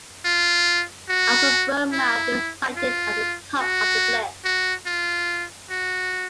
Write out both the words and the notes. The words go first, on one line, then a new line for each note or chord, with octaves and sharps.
Upper Burnmouth is sited at the top of the cliff.
F4
F#4
E4
F4
F#4
F#4
F4
F#4